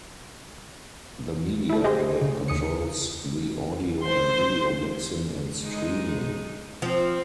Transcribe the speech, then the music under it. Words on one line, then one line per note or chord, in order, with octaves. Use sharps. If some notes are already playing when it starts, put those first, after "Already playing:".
The Media Plane controls the audio and video mixing and streaming.
A3 E4
G4 G#4 C5 D#5
C#3
D#2 D#6 C#7
C5 C6
G#3 D#4
F3 C4